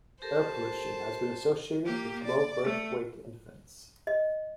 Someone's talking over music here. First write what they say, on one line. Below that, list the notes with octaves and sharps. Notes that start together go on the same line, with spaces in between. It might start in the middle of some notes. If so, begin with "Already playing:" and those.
Air pollution has been associated with low birth weight infants.
G4 A4 A#4 C5 A5
A#3 G4
D5
A3
D#5